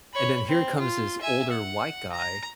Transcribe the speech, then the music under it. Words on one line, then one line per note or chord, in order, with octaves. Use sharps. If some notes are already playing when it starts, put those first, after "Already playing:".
and then here comes this older white guy
C#5 B5
C4
F4
E5 G#5
F#5
A#5